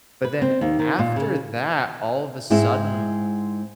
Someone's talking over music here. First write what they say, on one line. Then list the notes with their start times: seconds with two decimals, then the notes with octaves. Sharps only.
But then after that, all of a sudden,
0.24 B4
0.42 C4
0.61 D#2
0.79 D#3
0.99 A#2
1.16 C#3
2.50 G#2 G#3 C4 E4 E5